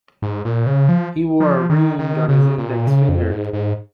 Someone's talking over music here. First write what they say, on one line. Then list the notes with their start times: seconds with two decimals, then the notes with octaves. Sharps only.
He wore a ring on his index finger.
0.22 G#2
0.45 A#2
0.67 C#3
0.89 F3
1.40 F3
1.70 D#3
1.99 D#3
2.29 C#3
2.58 A#2
2.87 C#3
3.09 F2
3.31 G#2
3.53 G#2